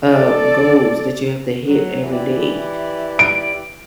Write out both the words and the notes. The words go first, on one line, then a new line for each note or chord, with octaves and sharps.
uh, goals that you have to hit every day
A4 D5
F#3
E3 E4 G4 D5
D7